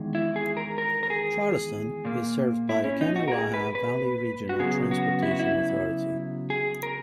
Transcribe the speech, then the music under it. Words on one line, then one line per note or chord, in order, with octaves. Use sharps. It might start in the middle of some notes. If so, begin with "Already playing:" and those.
Charleston is served by Kanawha Valley Regional Transportation Authority.
Already playing: E2 D#3 G#3
E4
G#4
A#4
A#4
A#4
G#4
A#2 A#3
E4
C#4
D#4
F#4
A#4
G#4
B4
B4
F#4
C#3 F#3 B3 G#4
F#4
E4
F#4
E4
G#4
A#4